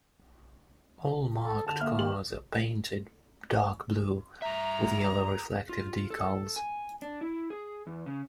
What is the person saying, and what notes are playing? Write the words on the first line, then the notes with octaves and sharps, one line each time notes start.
All marked cars are painted dark blue with yellow reflective decals.
A4
D3 A5 E7 F7
A#3 E5 F6
D#3 G4 F#7
G2 E5 A#5
F4
A4
G#5
D4
E4
G#4
E2
C#3